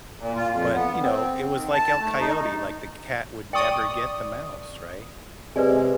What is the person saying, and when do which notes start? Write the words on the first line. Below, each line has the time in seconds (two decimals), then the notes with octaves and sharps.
but, you know, it was, like, El Coyote, like, the c cat would never get the mouse, right?
0.20 A#2
0.36 F4
0.51 F2
0.74 B3
1.02 C4
1.54 D#3
1.74 A5
2.00 A3
2.21 D#4
3.53 D5 G5 C#6 D#6
5.56 C3 G#3 B4 D5 G#5